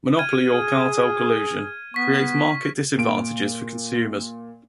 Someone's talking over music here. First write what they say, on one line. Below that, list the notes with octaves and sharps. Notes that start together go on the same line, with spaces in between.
Monopoly or cartel collusion creates market disadvantages for consumers.
F6 G#6 D#7
G#4
B3 C#6 B6
A#2 D7